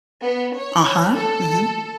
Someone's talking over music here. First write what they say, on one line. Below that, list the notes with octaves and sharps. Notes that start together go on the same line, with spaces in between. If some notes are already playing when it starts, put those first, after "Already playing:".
Uh-huh, mhm.
B3
C#5
A4